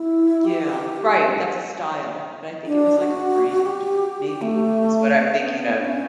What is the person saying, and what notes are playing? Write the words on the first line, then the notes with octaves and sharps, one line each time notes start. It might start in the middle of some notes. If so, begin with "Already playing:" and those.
Yeah, right that's a style. But I think it was like a brand, maybe, is what I'm thinking of,
Already playing: E4
G4
D4
F#4
G4
G4
A3
B3
D4
C#4